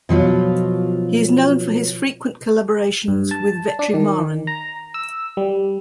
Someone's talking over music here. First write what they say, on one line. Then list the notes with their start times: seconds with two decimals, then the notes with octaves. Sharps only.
He is known for his frequent collaborations with Vetrimaaran.
0.09 B2 F3 F#3 F4
3.08 G2
3.31 A5
3.79 D4
3.94 D#3
4.47 A#5
4.94 E6
5.37 G3